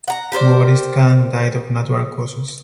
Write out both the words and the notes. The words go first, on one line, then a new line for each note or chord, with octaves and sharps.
Mubariz Khan died of natural causes.
F#5 A#5
G4 A#4 C5 D5